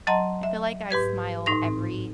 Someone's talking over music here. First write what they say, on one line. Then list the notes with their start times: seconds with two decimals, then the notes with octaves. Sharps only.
I feel like I smile every
0.07 F#3 D#5 F#5 A5 A#5 C6
0.43 E5
0.91 G#2 G4 B4 G#6
1.46 A2 D#4 C6 A#6
1.65 C4